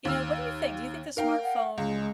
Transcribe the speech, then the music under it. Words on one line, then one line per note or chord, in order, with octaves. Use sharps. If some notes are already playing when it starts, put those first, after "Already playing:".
you know, what do you think? Do you think the smartphone
D#2 E6 F6
D#4 A#4 F5 G5
F#5
C#2 G#3